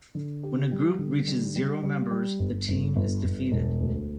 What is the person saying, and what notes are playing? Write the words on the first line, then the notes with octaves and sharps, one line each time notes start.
When a group reaches zero members, the team is defeated.
D3
G4
G3
D3
G3
G3
G3
G3
G1
G1
G1
G1
E1
D2